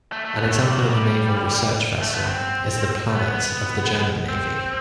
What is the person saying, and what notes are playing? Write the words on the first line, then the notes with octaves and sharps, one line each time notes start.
An example of a naval research vessel is the "Planet" of the German Navy.
A3
A3
B3
A3
G3
F#3
G3
A3
B3
C4
B3
B3
C4